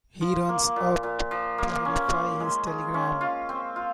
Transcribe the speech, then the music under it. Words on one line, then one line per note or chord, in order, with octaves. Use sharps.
He runs up to verify his telegram.
F3
A#3
A#2
A#2
F3
A#3
C#4
F4
G#3
G#3
C#4
F4
C4
F4